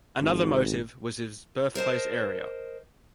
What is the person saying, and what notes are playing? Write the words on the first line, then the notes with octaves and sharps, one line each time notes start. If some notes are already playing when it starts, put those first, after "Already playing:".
Another motive was his birthplace area.
G#1
A#4 C5 D#5 A5